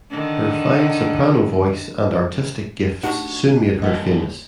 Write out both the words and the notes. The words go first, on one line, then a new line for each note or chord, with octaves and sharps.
Her fine soprano voice and artistic gifts soon made her famous.
D3 D#3
D4 D#4 F#4 G4 A5
G3 A#3 D#5 F#5 B6